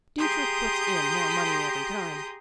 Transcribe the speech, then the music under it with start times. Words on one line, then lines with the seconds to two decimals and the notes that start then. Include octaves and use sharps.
Dietrich puts in more money every time.
0.17 G4 G#4 A#5 C6 D#6 G6